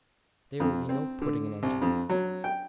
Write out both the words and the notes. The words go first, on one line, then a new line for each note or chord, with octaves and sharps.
There will be no putting an end to it.
F2
C4
D3
C2
F2
F#3
G5